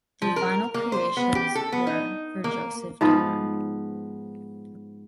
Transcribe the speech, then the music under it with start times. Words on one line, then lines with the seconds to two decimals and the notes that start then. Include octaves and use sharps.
The final creations were for Joseph Damer.
0.22 F3
0.36 A#4
0.74 A#3
0.92 C5
1.17 B3
1.35 G4
1.55 A4
1.72 B3
1.87 D#4
2.44 A#3
3.01 G#2 F3 B3